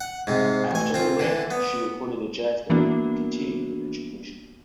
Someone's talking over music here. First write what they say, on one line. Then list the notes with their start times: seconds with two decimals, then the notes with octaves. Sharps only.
After her reign, she recorded a jazz demo and continued her education.
0.01 F#5
0.27 G#2 C3
0.71 A1 G#5
0.94 C4 F4
1.19 D3 E3
1.51 B3
2.70 E3 A#3 B3 D4 F#4